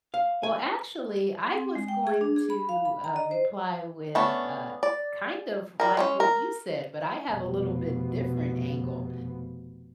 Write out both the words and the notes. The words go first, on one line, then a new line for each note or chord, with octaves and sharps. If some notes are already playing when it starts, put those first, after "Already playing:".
Well, actually, I was going to, uh, reply with, uh, kind of like what you said, but I have a little bit different angle.
F5
G#5
C4
G#3
G5
G#4
D4
G#4
B5
F5
B5
A#5
D#5
C5
A3 B3 C#4 D4
D5
G3 A#4
G#3 C4 C#4
A#4
F1 B2